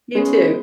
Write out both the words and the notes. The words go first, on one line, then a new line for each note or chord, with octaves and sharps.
You too.
G#3 B3 C#4